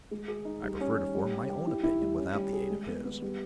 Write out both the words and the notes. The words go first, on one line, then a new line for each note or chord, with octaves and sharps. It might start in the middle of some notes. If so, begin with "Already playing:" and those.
"I prefer to form my own opinion, without the aid of his."
G#3
G#4
D#4
G3
C#4
G3
G3
G4
G4
E4
E4
G3
C#4
G3
G#4
G#3
B3
B3
G3